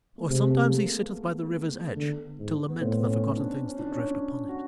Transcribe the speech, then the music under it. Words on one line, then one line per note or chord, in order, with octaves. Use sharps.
Or sometimes he sitteth by the river's edge to lament the forgotten things that drift upon it.
A3
C3 G#3
A3
A#3
B3
B3
D3
G#2
B3
A2 C4
C#4
D4
C#4
D4
C#4
D4
F#4